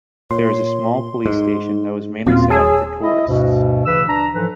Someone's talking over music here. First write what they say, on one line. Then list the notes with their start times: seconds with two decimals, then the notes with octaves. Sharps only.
There is a small police station that was mainly set up for tourists.
0.31 A#2 C#5 C6
1.26 G#2 D#4
2.27 D#1 A#2 F#3 C4 C#4 F4
2.50 G#4 C#5 A5 E6
3.02 E4 D#5
3.28 D2 G2 B2
3.85 D2 C#3 E3 B4 E6
4.07 D4 A#5
4.34 G#2 E3 F3 A4 B4